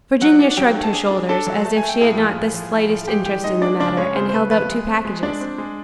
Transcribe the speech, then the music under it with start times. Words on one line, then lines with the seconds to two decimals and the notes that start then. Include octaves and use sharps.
Virginia shrugged her shoulders, as if she had not the slightest interest in the matter, and held out two packages.
0.21 F#3 F#4 F#5
0.39 D4
0.57 F#3 G4 G5
0.75 A3
0.83 A5
0.93 D4 G#4 G#5
1.11 D4
1.29 D4 A4 A5
1.47 F#3
1.65 A3 A5
1.77 G#5
1.83 A3
1.89 G5
2.01 A2 G#4 G#5
2.18 F3
2.37 A2
2.54 F3
2.72 A2
2.90 F3
3.08 G#3 G4 G5
3.26 E3 G4 G5
3.44 G#3 D#4 D#5
3.61 G#3 D4 D5
3.80 C#3 D4 D5
3.97 G#3 C#4 C#5
4.15 C#3 C4 C5
4.29 C5
4.33 C#3 B4
4.51 F3 B4
4.69 G#3
4.87 C4
5.05 G#3
5.23 G#3 D4 D5
5.41 C4
5.58 G#3